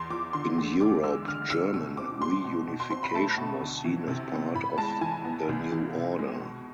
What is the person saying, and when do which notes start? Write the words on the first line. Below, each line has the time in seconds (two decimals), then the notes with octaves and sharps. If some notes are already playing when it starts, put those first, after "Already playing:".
In Europe, German reunification was seen as part of the new order.
Already playing: E2 C6
0.10 F3 D6
0.33 D3 C6
0.58 E2
0.81 D2 D6
1.03 G#3 E6
1.27 D3 F6
1.50 D2 E6
1.74 B2 E6
1.97 C4 D6
2.20 G#3 C6
2.45 B2
2.68 B2
2.80 C6
2.91 C4 C6
3.03 B5
3.14 A3 A5
3.37 B2
3.61 D2
3.85 E3
4.08 C3
4.32 B3
4.55 A2 B5
4.78 G#3 A5
5.01 E3 G#5
5.25 B3
5.49 C2
5.72 E3
5.95 C3
6.19 G#3
6.41 B2